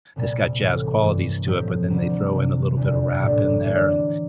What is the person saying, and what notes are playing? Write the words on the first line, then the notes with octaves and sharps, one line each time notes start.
this got jazz qualities to it, but then they throw in a little bit of rap in there and
C2 A#2 G3
A1 A2 E3
G2 E3 A#3
A2 F3 C4 G4 A#4
D2 C3 G3
C3 E3 G3
E2 D3 G3
A#1 A2 G3 D4
E3 A#3 D4